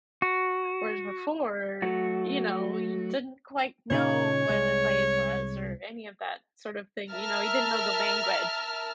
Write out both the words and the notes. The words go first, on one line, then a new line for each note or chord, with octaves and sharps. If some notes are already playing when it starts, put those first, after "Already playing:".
Whereas before, you know, he didn't quite know what the glaze was or any of that sort of thing, you know, he didn't know the language.
F#4
F#3 A3 F#4
A#2 C#3 D#4 C#5
C2 G#3
A#4 E5 A5 F6